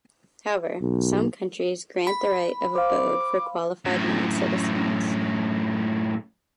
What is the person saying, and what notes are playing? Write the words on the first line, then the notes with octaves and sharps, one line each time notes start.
However, some countries grant the right of abode for qualified non-citizens.
B1
B5
C5 F5 D6
F#2 A2